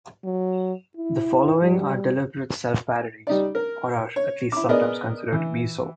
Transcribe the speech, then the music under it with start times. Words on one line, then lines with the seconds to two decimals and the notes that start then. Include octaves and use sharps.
The following are deliberate self-parodies or are at least sometimes considered to be so.
0.24 F#3
0.97 E4
1.62 G3
3.27 G3 D#4 D5
3.55 A#4
4.16 C#5
4.52 E4 D6
4.69 B3 G#4 A#4 D5 D#5
5.32 E3